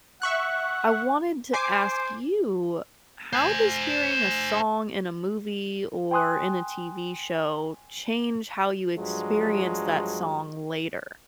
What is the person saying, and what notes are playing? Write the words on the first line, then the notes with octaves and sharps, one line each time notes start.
I wanted to ask you, how does hearing a song in a movie or in a TV show change how you experience that song later?
E5 F#5 C#6 F#6
C5 G#5 D6 C7
C5 G#5
G5 G#5 C6 D#6 F#6
G2 F3 F#3 G#3